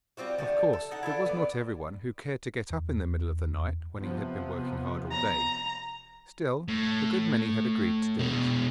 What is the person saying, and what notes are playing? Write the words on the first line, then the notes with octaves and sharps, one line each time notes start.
Of course it was not everyone who cared to get up in the middle of the night, when he had been working hard all day; still, a good many had agreed to do it.
G3 C4 F4 F#4
D3 F3 G3 A3
A4
D#4 F#5 A5
E4 F4 A4 D5
B3 D5
E2
C3 F3 B3
A#5
A2
B2 G#3